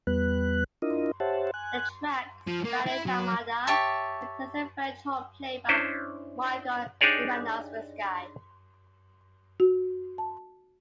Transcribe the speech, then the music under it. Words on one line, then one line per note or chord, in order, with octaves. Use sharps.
The track "Spanish Armada" contains a French horn played by Michal Emanovsky.
E2 G3 B3 B4 F#6
D4 E4 F4 A#4 D#5
G4 C5 C#5 E5 F#5 A5
G#5 F#6
F3
A#3
E4
F#3
G4 C#5 E5 A5
C#4 D4 E4 C5
D4 D#4 G4 G#4 C#5 D5
F#4
A5